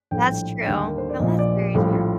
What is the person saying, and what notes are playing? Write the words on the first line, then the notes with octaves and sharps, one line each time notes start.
That's true. No, that's very true.
A#1 A2 G3 G5
G5
D#2 D3 G3 G5
A#4
C5
D5
A#1 A#2 F3 D#5
D5
G4
A#1 A2 G3 F4
F4